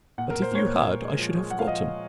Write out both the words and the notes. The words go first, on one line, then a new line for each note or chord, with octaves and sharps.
But if you had I should have forgotten.
A#2 F#5
A#4
A#2
C5
A#2 C#5
A#2
A#2
G#3
F3
G#3
G#3 F#5
F5
F3 D#5
F3